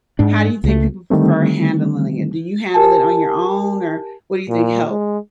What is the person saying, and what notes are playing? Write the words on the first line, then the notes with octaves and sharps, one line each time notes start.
how do you think people prefer handling it? Do you handle it on your own or what do you think help?
G#2 D4
C#2 A3
D3 D#3 G3 A3 C4
G4 A#4 G#5 A5
A#2
G#3